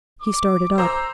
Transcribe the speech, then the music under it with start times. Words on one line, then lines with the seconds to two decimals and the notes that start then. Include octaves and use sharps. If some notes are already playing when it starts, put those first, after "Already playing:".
He started up.
0.22 D6
0.78 C5 A#5 E6